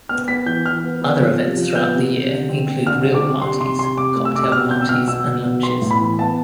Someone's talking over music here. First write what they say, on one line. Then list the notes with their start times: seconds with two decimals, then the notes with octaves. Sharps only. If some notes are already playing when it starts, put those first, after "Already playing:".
Other events throughout the year include reel parties, cocktail parties and lunches.
0.09 B3 F6
0.28 B3 B6
0.46 E3 G6
0.66 E3 F6
0.84 B3
1.01 B3
1.20 F3
1.39 C3
1.57 F3
1.76 B3 G6
1.94 C3
2.13 C3
2.31 D3
2.49 C4
2.68 C4
2.87 D3 F6
3.05 D3
3.15 D6
3.23 C4
3.42 C3 C6
3.60 C3 C6
3.79 C3 C6
3.97 C3 D6
4.16 A3
4.25 E6
4.33 C3 D6
4.44 E6
4.52 B2 F6
4.71 C4 G6
4.81 E6
4.89 B2 F6
5.08 B2 E6
5.27 B2
5.45 B2
5.63 B3 C6
5.81 A2
5.91 B5
6.00 E3
6.18 B3 A5